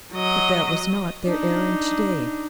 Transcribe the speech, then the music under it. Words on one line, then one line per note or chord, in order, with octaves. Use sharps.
But that was not their errand to-day.
F#3 D#5
D4 D#4